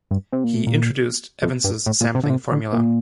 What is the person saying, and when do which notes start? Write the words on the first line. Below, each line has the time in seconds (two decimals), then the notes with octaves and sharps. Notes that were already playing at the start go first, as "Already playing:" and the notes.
He introduced Ewens's sampling formula.
0.11 G2
0.33 C3
0.44 A#2
0.55 A2
0.67 A#2
1.42 F2
1.64 G2
1.86 A2
2.01 A#2
2.15 C3
2.23 D3
2.30 C3
2.52 D3
2.73 A#2